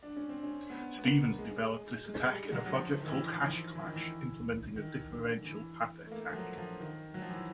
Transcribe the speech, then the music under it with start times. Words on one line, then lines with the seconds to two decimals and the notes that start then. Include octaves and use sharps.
Stevens developed this attack in a project called HashClash, implementing a differential path attack.
0.03 D4
0.16 C#4
0.29 C4
0.43 C#4
0.70 B3
0.98 B3
1.04 A#3
1.38 G#3
2.06 G#3
2.28 G3
2.52 F#3
2.66 F#3
2.74 F3
3.02 D#3
3.08 E3
3.34 E3
3.41 F3
3.75 E3
3.85 D#3
3.96 E3
4.76 D#3
5.11 D3
5.45 E3
6.06 A3
6.11 A#3
6.30 F3
6.35 F#3
6.58 F3
6.80 D#3
7.14 F#3
7.22 F3
7.30 E3